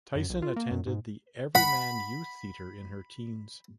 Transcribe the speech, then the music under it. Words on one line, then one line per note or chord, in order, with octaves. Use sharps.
Tyson attended the Everyman Youth Theatre in her teens.
F#2
B1
F4
A#3
F#2
G#2
F#5 B5